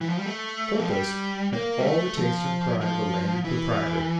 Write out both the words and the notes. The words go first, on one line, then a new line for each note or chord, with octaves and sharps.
Porthos had all the taste and pride of a landed proprietor.
E3
F3
G3
A3
F3
G3
A#3
G3
A3
F3
F3
E3